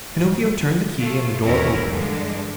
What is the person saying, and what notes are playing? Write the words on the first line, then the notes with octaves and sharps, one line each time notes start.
Pinocchio turned the key and the door opened.
G#2
A3 F4
D#2 E3 A3 C#4 E4 A#4
G2 D3 E3 G#3